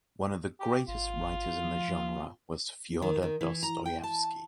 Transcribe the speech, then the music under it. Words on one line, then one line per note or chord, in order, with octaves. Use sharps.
One of the greatest writers of the genre was Fyodor Dostoyevsky.
G4
G#1 F4
F3
D#3
D#3
E3
A#5
G5
A5